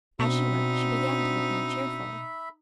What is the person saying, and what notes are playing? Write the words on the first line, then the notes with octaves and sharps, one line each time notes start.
As she worked she began to look more cheerful.
B2 C4 D4 D#4 F#4 E5 B5